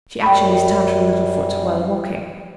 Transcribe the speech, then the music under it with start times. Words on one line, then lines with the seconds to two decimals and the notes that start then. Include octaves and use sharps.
She actually stamped her little foot while walking.
0.23 F#2 G3 G5 B5